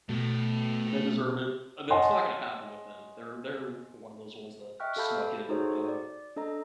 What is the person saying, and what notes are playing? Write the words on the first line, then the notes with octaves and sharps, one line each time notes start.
They deserve it. That's not gonna happen with them. They're they're one of those ones that snuck in, um
B2 A3 G5
C#5 D#5 F#5 G#5 A5 C6
D#5 E5 G5 C#6 F6 F#6
G4 A4 F5 A5 B5 G6
D#4 F#4 G#4 A4 C5 C#5
D5
D4 A4 D#5 A#5